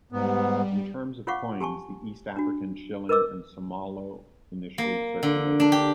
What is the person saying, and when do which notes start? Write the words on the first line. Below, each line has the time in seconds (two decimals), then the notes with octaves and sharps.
In terms of coins, the East African shilling and somalo initially circulated.
0.12 G#2 G3 B3
1.27 F4 C#5 F5 F#5 C#6 D6
1.61 G4 G#5 A5 C#6
2.36 D4 F#4
3.09 A#4 B4 D#5 D6 E6
4.78 A#3
5.23 D3
5.60 D4
5.72 G4